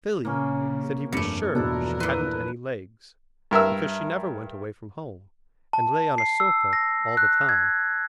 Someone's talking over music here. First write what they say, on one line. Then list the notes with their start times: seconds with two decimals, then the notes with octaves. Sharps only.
Philly said he was sure she hadn't any legs, because she never went away from home, and lay on a sofa all the time.
0.25 A#1 C#3 A#3 C#4
1.12 F1 G2 A3 C#7
1.55 E2 B2 F3 D4 E4 A4 A#4
2.00 A#2 E4 B4 C6
3.51 G2 A#4 E5 E6
5.73 A5
6.18 C7
6.40 E6
6.73 A#6
7.17 F#6
7.49 G#6